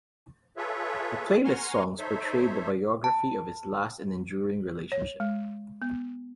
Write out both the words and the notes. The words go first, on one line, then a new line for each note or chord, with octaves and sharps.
The playlist songs portrayed the biography of his last and enduring relationship.
F4 G#4 A4 B4 C#5 E5
F#5 G#5 A#5 C6 C#6 F6
D#4 A4 C5 C#5 E5
A5
C#5
G#3
B3